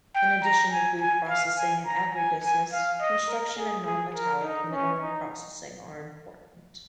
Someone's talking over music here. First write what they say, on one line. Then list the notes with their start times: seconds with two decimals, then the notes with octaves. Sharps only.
In addition to food processing and agribusiness, construction and non-metallic mineral processing are important.
0.15 G5
0.43 A#5
0.71 G#5
1.00 G#5
1.28 F5
1.57 G#5
1.86 A#5
2.14 G#5
2.43 G#5
2.72 F5
3.00 D#5
3.29 A#4
3.57 G#4
3.86 G#4
4.15 A#4
4.43 D#4
4.71 C#4
5.00 D#4